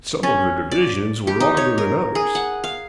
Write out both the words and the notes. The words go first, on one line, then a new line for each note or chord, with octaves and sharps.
Some of the divisions were longer than others.
C#4
D5
G4
D#4
C#5
A#4
G#4
F#5
F5